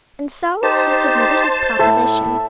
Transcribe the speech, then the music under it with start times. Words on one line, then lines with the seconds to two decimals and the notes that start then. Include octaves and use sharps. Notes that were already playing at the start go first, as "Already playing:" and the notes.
And so he submitted his proposition.
0.63 D#4 G4 C5 A5
1.79 A2 A4 E5